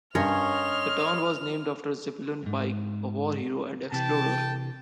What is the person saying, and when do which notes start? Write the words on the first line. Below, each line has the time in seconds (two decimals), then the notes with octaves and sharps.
The town was named after Zebulon Pike, a war hero and explorer.
0.15 G2 C#4 A#4 C#5 D#5 C6 F6
2.43 F2 G#2
3.92 C3 E3 G5 A5